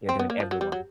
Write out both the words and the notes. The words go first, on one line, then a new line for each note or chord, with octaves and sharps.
you're doing everyone
C4
B3
A#3
F3
F#3
G3
F#3